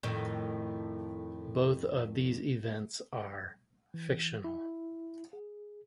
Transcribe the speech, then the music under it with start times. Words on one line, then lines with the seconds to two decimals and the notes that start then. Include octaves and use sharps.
Both of these events are fictional.
0.03 F2 A2 D#3
3.94 E3
4.44 E4
5.33 G#4